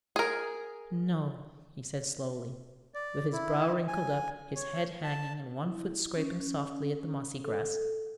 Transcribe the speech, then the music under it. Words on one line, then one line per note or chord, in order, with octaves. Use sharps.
"No," he said slowly, with his brow wrinkled up, his head hanging and one foot scraping softly at the mossy grass.
G#4 A#4
D5
E4
G#5
C#5
A5
E4
C#4
A4